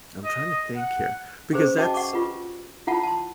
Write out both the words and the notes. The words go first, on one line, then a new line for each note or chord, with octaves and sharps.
I'm trying to think here, because that's
D#5
F#5
C#4 G4 G#4 B4 C5
F#4 D#5 G5 A5 D6
F#5 C#6 D6
F4 G4 B4
E4 F4 F#5 A5 B5
A5 C6